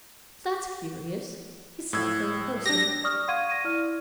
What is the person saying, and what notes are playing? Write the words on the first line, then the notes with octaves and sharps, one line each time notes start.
"That's curious!" he said, going closer.
A2 E6 G#6
D4 G4 A#6
D5 C#6 D#6 F6
F5 F#5 C6 C#6 G#6 D#7
A#6 D#7
E4 D5 F6